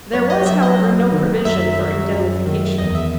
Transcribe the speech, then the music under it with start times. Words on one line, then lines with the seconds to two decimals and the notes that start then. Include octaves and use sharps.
There was, however, no provision for indemnification.
0.13 F#2 C#5
0.30 D#5
0.46 F#3 E5
0.62 D#5
0.79 F#2
1.12 D#3
1.45 F#2 E5
1.79 F#3
2.12 F#2
2.45 D#3
2.78 E2 D#5
2.95 E5